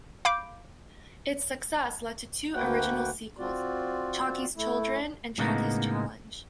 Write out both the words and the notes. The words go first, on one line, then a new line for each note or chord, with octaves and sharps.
Its success led to two original sequels: "Chocky's Children" and "Chocky's Challenge".
F5 B5 D6 G6 D7
D2 A#3 F#4 B4 F#5 G5
C4 F4 F#4 D5
A3 E4
A2 C#3 G#3 A#3 B3 D#4